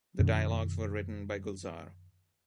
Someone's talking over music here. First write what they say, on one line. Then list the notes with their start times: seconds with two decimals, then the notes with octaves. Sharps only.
The dialogues were written by Gulzar.
0.19 F#2 B2 D#3